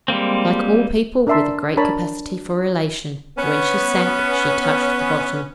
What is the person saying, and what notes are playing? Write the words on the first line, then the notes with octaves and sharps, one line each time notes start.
Like all people with a great capacity for elation, when she sank she touched the bottom.
G3 G#3 A#3 C4
D4 A#4 D5 E5 A5 C6
D4 A#4 C#5 A5 B5
B3 C#4